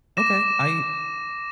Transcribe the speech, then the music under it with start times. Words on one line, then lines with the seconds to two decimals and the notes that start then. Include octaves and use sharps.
okay. I
0.17 D6 A#6 E7